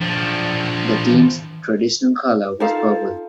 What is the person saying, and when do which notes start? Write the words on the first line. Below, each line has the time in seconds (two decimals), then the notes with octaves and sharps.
The team's traditional color was purple.
0.01 F3 D4
2.60 D#4 F4 A4 F5